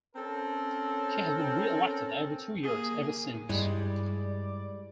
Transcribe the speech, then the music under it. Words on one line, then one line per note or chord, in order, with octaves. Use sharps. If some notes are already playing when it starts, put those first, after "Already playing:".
She has been re-elected every two years ever since.
C4 C#4 A4 A#4 A5
A#3 G#4
G2 G3 G#3 E4 D5